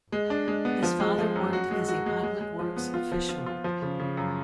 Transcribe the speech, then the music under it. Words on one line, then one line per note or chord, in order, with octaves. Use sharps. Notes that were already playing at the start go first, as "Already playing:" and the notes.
His father worked as a public works official.
G#3
D4
G#3
B3
F3
G#3
F3
F#2
F#4
G#3
F#4
G#3
G#3
G#3
F3
B3
F4
F3
F4
F4
F3
C#3
C#3
F#2